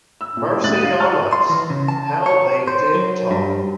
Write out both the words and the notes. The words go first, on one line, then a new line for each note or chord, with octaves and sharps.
Mercy on us, how they did talk!
E6
A#2
E4
D2 G#2 D#6 F#6 A6 F#7
D#5 F5
A5 A#5 C#6 F6 A6
C6
E3
C#3
A5
C#5
C5
F#3
G2